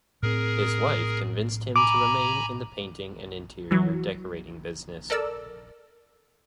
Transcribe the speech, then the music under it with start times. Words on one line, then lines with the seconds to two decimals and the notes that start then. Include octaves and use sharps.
His wife convinced him to remain in the painting and interior decorating business.
0.23 A2 C4 G#4 A#4
1.76 G#5 A#5 B5 D6
3.71 E3 F#3
5.10 A4 A#4 D5 E6